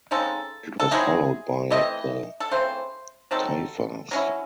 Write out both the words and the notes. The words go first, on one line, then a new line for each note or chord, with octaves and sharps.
It was followed by the Taifas.
C#3 G#3 C4 D#4 A4
A4
D#3 F#3 C4 E4 G#4
E3 A3 C4 D#5
A4
C#3 E3 A3 C4 C5
F#3 C4 D#4 A4
F#3 C#4 E4